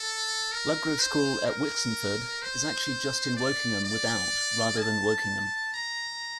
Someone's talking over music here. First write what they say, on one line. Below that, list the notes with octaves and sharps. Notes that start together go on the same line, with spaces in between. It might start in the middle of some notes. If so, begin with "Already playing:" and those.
Ludgrove School at Wixenford is actually just in Wokingham Without, rather than Wokingham.
Already playing: A4
A#4
C5
A#4
C5
D5
D5
A5
A#5